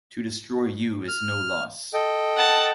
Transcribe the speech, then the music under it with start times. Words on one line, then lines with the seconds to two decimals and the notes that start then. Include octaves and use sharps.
To destroy you is no loss.
1.08 F6
1.94 A4 D#5 G5
2.36 F#5 A5